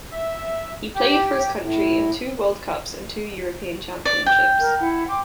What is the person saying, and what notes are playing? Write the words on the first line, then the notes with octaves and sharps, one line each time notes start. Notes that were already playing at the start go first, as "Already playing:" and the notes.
He played for his country in two World Cups and two European Championships.
E5
G4
A2
D5
G5
A#4
E4 F#5
G5 C6 D6